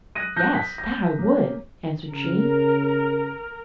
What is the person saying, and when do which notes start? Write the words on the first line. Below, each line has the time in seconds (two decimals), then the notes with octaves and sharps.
'Yes, that I would!' answered she.
0.15 F#6 A#6 D#7
0.36 A5 F#6 G6 A#6
0.54 B6
0.78 A#6
1.19 A#3 C#4
2.12 C#3 A#4